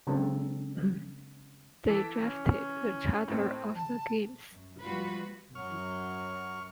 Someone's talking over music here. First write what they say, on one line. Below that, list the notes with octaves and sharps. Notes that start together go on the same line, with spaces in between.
They drafted the Charter of the Games.
C#3 F#3 G#3 C4 D4 A4
E3 A4 B6 D7
C#4
A2 C4
A5
F#2
F3 G3 A#3 F4 F#4 B4
F#2 F#3 C#6 F6